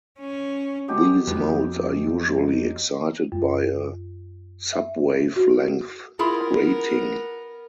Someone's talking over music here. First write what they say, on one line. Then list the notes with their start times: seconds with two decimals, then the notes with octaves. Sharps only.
These modes are usually excited by a subwavelength grating.
0.20 C#4
0.88 F#3 G#3 G4
1.27 F2 B3
3.32 F#2
4.73 E5
5.36 F#4
6.19 B3 E4 F4 G#4 A#4